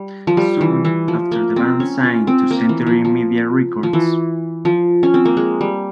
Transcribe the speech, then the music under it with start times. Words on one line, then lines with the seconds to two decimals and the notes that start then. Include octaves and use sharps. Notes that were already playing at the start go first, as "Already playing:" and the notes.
Soon after the band signed to Century Media Records.
Already playing: G3
0.27 F3
0.37 G3
0.61 E3
0.85 E3
1.08 F3
1.32 A#3
1.56 C4
1.80 C#4
2.03 F4
2.27 C4
2.51 A#3
2.69 E3
2.86 F3
3.05 F3
3.83 F3
3.93 E3
4.65 F3
5.03 C#4
5.14 C4
5.25 A#3
5.37 G#3
5.61 G3